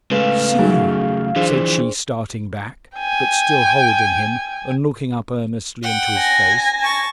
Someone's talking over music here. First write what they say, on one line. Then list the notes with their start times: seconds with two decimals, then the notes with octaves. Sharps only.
'See you!' said she, starting back, but still holding him and looking up earnestly into his face.
0.11 C#3 G#3 A3 B4 F5
0.59 F#2 D#3 F#3 G#4
1.36 E3 F3 D4 G#4 C5
2.96 G5 G#5
5.82 F#5 G5
6.17 G#5 A#6
6.79 A5 C#6